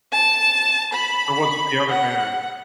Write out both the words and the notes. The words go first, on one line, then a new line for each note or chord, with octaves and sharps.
Or was it the other man?
A5
B5
F#5